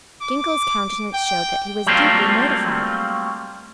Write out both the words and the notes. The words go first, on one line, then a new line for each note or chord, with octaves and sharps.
Ginkell's countenance showed that he was deeply mortified.
D6
G5
F#3 G3 A3 A#3 C4 F4